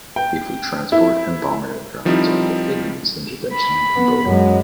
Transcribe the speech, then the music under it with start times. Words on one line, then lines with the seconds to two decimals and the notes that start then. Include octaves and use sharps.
He flew transport and bomber aircraft during the Vietnamese intervention in Cambodia.
0.16 G5
0.92 E4
2.05 D#3 F3 G3 C4 D#4 E4
3.52 B5
3.95 B3
4.25 F#2 F#3 G#3